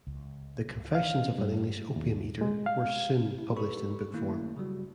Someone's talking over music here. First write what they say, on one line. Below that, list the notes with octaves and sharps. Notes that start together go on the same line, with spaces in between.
The "Confessions of an English Opium-Eater" were soon published in book form.
C#2
F5
G2
D#2
G#3
F5
E4
G4 A4 B4 B5 C#6
D#3 A3 A#3 E4
C#3 F#3 G3 F#4